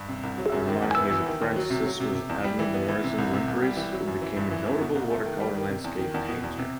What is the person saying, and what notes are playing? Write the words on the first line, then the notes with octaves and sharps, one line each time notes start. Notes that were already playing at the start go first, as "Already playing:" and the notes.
Amongst his apprentices was Edmund Morison Wimperis, who became a notable watercolour landscape painter.
Already playing: G2
C3
C2
F#3
F#2
D#3
E2
B3
E3
D#3
D#2
F#3
C3
F#3
C3
C3
E2
G3
E3
B3
E3
C3
C2
C3
C2
G3
E3
F#3
F#2
E3
G2
E3
F#2
B2
C2
A3
D#3
G3
D#3
C3
E2
D#3
E2
B2
E2
C3